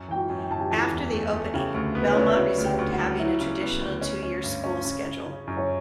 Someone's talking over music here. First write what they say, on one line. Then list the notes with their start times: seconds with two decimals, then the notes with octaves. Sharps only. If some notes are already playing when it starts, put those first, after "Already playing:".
After the opening Belmont resumed having a traditional two-year school schedule.
Already playing: F#2
0.08 E3 G5
0.16 F#4 F#5
0.30 F#2
0.43 G5
0.50 F#2 A5
0.59 G4 G5
0.70 E3 A4 A5
0.92 E2
1.13 A3
1.33 A3
1.54 C#3 G4 G5
1.74 D2
1.95 B3
2.03 B4
2.11 C#5
2.16 C#3 D5
2.29 E5
2.36 C#3 F#4 F#5
2.58 D2
2.64 G4 G5
2.78 D2
2.91 F#4 F#5
2.98 G3
3.19 F#3 E4 E5
3.40 C#3
3.61 B3
3.81 D2
4.02 C#4
4.23 C#4
4.44 G2
4.64 C#4
4.85 C#3
5.05 C#3
5.26 C#3
5.47 F#2
5.57 C#5